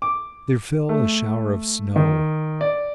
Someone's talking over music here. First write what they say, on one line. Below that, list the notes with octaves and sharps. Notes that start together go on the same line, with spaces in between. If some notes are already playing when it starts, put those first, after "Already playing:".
There fell a shower of snow.
D6
A3
D#3
D5